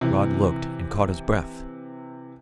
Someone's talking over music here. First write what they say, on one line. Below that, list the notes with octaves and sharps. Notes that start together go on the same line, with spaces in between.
Rod looked, and caught his breath.
C3 E3